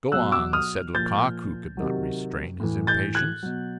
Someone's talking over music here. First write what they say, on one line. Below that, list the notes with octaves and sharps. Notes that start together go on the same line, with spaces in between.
"Go on!" said Lecoq, who could not restrain his impatience.
B2 F#3 E6 F#6
D6 E6
D#6 F6
A#2 F3 G6 A6
C3 D#3 F#3
A2 E3
G6 A6
F#6 G#6
B2 F#3